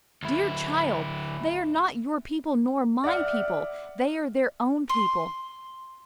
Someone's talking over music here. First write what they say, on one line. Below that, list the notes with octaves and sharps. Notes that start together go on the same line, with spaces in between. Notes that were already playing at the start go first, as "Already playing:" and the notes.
Dear child, they are not your people nor my people; they are their own people.
D2 E4
D5 E5 F#5 F6
C6